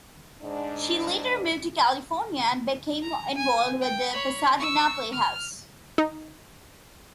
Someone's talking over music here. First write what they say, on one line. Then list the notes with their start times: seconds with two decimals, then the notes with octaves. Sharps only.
She later moved to California and became involved with the Pasadena Playhouse.
0.41 G#2 D4
3.03 A#5
3.35 G#5
3.81 G5
4.12 C#5 B5
4.57 C#6 E6
5.12 F6
5.98 D#4